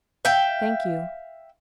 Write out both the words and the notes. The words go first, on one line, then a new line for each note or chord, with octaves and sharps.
Thank you.
E5 F5 G5